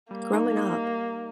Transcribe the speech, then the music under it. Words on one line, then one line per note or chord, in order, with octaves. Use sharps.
growing up,
G3 A#3
D#4
D#4